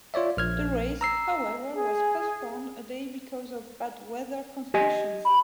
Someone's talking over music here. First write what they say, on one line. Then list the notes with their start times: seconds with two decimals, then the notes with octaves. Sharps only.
The race, however, was postponed a day because of bad weather conditions.
0.14 F4 C#5 D5 E5
0.37 A#1 F6 G#6
1.01 A#5 E6 C7
1.75 G#4
4.74 G4 D#5 G#5
5.25 B5